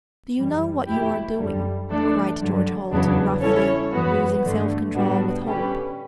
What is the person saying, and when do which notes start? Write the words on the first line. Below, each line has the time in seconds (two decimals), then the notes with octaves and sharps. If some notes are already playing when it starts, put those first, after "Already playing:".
"Do you know what you are doing?" cried George Holt, roughly, losing self-control with hope.
0.36 F#2 E3 G3
0.87 E2 B2 A3 E4 G4
1.39 F#2 D3 G3
1.89 E3 A3 D4 A4 D5
2.41 G2 D3 F#3
2.92 E2 C#3 F#3 B3 D4
3.42 G3 C#4 E4 A4 C#5
3.93 F#2 E3 B3 F#4
4.44 G2 D3 A3
4.95 A2 G3 B3 D4 F#4
5.45 D3 G3 C#4 G4 B4